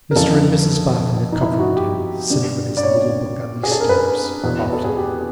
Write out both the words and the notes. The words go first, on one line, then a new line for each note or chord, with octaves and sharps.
Mr and Mrs Boffin have comforted him, sitting with his little book on these stairs, often.'
A#4
F2 C#3 E3 A4
D#4
E4
F#4
G4
G2 D3
D5
C#5
G#4
A4
A#4
B4
E2 B2
A4
G#4
G4